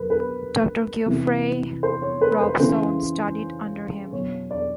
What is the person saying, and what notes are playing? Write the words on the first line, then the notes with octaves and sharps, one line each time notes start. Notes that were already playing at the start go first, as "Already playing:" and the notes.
Dr Geoffrey Robson studied under him.
Already playing: B2 F#3 A#4 B4
B4
C3 E3
C5
C#5
B4
C5
C#3 E3 C5
B2 F#3 C#5
D5